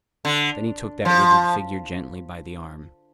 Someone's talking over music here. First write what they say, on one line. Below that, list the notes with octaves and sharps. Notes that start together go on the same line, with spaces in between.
Then he took that rigid figure gently by the arm.
D3
F3